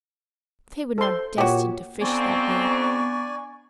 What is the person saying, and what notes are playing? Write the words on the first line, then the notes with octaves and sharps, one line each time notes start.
They were not destined to fish that day.
A4 C5 C6
A#2 F#4 G4 C#5
F2 B3 C4 D4 D5 G#5 A#5 C#6